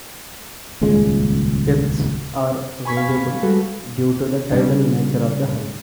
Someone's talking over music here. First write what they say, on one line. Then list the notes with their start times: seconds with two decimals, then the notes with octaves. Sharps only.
Depths are variable due to the tidal nature of the Hull.
0.81 D#1 C#2 C#3 G#3
2.85 G#5 B5 C#6 G#6 B6
2.97 F5
3.43 G3 G#3 F#4 A4 B4
4.52 C#3 G3 D4